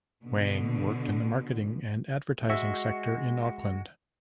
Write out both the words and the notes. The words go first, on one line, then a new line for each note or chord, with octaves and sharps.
Wang worked in the marketing and advertising sector in Auckland.
B2 D3
G#3 F#4 E5